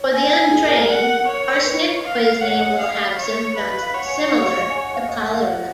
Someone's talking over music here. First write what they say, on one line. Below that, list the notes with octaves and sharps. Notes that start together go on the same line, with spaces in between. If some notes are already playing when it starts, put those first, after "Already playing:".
For the untrained, arsenic poisoning will have symptoms similar to cholera.
Already playing: C#5
G#5
G#4
A#4
A#4
F#5
C#5
B4
F5
C#5 F#5
C#5
D#5
F5
C#5
B4 F5
D#5
F5
C#5 F#5
G#5
F#5
F#5
F5
D#5
G#5
F#5
F5
D#5
F#5
F5
F#5